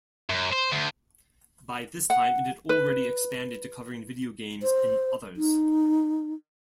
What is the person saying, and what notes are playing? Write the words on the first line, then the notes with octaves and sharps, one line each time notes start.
By this time, it had already expanded to covering video games and others.
F#2
C5
D2
F#5
B4
C5
D#4